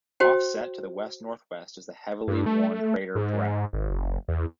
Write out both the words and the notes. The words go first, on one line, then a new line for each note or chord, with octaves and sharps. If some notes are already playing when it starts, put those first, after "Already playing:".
Offset to the west-northwest is the heavily worn crater Brenner.
F#4 C5 G5
G2
A3
G#2
G#1
F#1
E2